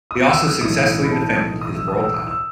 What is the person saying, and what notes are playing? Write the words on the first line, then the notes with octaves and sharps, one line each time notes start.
He also successfully defended his world title.
D#6
E6
D#6
B1 A2 E3 D#6
B5
A5
D#6
D#6
E6
D#6
E6
D#6
E6